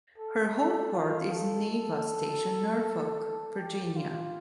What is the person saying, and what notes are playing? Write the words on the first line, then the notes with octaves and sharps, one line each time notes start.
Her home port is in Naval Station Norfolk, Virginia.
A4
A4
F4
A4
A4
G4
F4